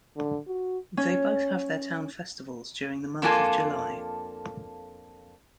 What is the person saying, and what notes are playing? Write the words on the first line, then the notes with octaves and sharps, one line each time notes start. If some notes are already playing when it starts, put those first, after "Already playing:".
They both have their town festivals during the month of July.
D3
F#4
C#4
F2 A#3 D4 F4 A4 G#5